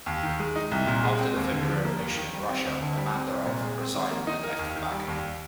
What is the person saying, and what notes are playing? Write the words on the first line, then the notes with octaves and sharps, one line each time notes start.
After the February Revolution in Russia Mehmandarov resigned and left for Baku.
D#2
D#3
G#3
D#4
C2
A#2
G#3
C4
D#2
D3
F3
A#3
D#2
D#3
G3
C4
D2
D3
G3
C4
C2
A#2
G#3
C4
D#3
A#3
D#4
A#4
D#2
D#3
G3
D#2